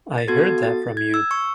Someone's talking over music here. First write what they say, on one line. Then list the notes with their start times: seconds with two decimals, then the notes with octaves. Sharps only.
I heard that from you.
0.18 A6
0.28 B3 F#4 A4 G#6
0.63 A6
0.97 G#6
1.14 E6
1.31 C#6